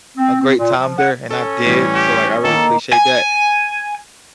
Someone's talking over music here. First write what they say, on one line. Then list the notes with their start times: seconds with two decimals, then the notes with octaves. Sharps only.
a great time there, and I did, so, like, I really appreciate that.
0.17 C4
0.41 C4
0.57 A#2
0.78 F3
0.99 F#5
1.31 C#4 A4
1.65 A2 E3 G3
1.95 G4
2.44 D#3 A#3 A4
2.93 G#5